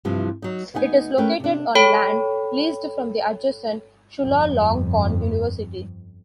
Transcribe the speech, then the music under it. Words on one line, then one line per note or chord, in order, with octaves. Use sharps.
It is located on land leased from the adjacent Chulalongkorn University.
G2 C3 E3 F3
F#3 D#4
D2 B3 D#4 F#5 G#5
A3 C#4 A#4 B4 G5
C3 D4
A4 C#5 G5 B5
G1 F2